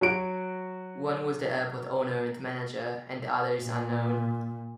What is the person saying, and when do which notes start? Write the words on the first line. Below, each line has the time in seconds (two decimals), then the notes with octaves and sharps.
One was the airport owner and manager and the other is unknown.
0.01 F#3 F#4 D7
3.59 A#2